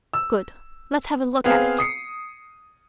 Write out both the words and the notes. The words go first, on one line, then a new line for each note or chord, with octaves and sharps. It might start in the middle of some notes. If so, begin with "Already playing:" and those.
"Good; let's have a look at it."
E6
B3 C4 G#4 F5
D#6 C7 C#7